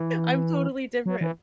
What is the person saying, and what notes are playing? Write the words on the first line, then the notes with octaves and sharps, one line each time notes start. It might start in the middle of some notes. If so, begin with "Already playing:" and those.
I'm totally different.
Already playing: E3
F#3
E3